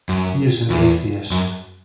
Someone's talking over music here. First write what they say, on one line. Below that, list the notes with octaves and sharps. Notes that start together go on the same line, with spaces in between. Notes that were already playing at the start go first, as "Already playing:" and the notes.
He is an atheist.
F#2
E2
F#2